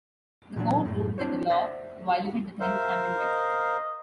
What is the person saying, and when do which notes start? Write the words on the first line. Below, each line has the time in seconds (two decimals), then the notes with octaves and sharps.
The court ruled that the law violated the Tenth Amendment.
0.56 A#2 E3 F#3 D4
0.85 F#2 A2
1.18 C4 D4 E4 C5 C#5
1.50 C5 D5 E5 F#5
2.60 A#4 C5 E5 F5
3.18 D#5